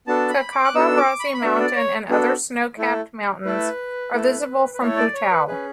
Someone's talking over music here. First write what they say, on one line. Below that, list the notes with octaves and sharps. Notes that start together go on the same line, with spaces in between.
Hkakabo Razi Mountain and other snow-capped mountains are visible from Putao.
B3 D4 F#4 A4 A5
B5
D6
F#6
B3 D4 F#4 A4 E6
D6
B5
C#6
B5
B3 D4 F#4 A4 E5
D5
C#5
B3 D4 F#4 A4
A3 E4 A4
A3 E4 A4 B4
A3 E4 A4
B4
A3 E4 A4 C#5
D5
C#5
B4
C#4 G#4 B4